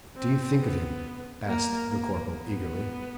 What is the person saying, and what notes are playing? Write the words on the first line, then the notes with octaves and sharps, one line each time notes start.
"What do you think of him?" asked the Corporal, eagerly.
C4
B3
A#3
A#3
B3